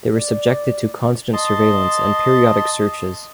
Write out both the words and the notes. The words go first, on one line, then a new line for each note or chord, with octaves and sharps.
They were subjected to constant surveillance and periodic searches.
D5
D#5 A5 C6